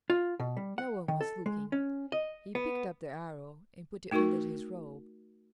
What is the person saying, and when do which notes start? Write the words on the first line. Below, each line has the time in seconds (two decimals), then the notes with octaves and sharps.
No one was looking. He picked up the arrow and put it under his robe.
0.10 F4
0.40 B2
0.57 G3
0.78 F#5
1.08 D#3
1.21 A4
1.46 G#3
1.72 C#4
2.12 D#5
2.55 B3
4.11 A3 D#4 F#4 A#4 C#6